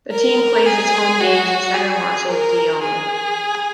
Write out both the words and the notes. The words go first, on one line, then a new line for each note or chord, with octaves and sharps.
The team plays its home games at Centre Marcel Dionne.
A#4
G#4
F#4
G#4
A#4
G#4